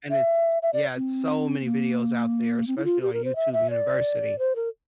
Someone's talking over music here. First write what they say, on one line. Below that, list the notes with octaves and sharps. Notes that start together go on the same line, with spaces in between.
And it's, yeah, it's so many videos out there, especially on YouTube University.
E5
E5
D5
C4
C4
A#3
C4
E4
F4
G4
A#4
C5
E5
E5
D5
C5
A#4